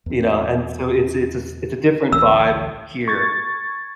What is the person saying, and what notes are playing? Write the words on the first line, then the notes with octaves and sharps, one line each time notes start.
you know? And so it's it's a it's a different vibe here,
E2 C4
A1 D2 E3 E6
C#6 G#6 A6